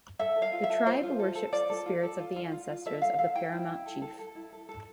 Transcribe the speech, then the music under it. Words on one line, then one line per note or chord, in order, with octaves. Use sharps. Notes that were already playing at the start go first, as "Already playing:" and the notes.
The tribe worships the spirits of the ancestors of the paramount chief.
A4 E5
A4
F5
F4
E5
A4
F4 C5
F4
A4
A4
F4 D5
A4
F4
A4
F4
F4
F4
F4
A4 E5
A4 F5
A4 F5
E4 G5
E4
E4
A4
A4
A4
E4
A4
A4